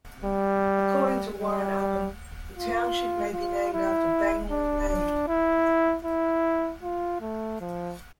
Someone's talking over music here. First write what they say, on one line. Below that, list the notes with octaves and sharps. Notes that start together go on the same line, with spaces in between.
According to Warren Upham, the township may be named after Bangor, Maine.
G3
G3
F4
F4
E4
D4
D4
E4
E4
F4
A3
F3